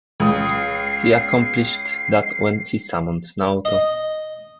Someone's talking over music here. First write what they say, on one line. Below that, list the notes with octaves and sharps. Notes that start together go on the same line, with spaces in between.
He accomplished that when he summoned Naoto.
C#2 D#6 C7
D#5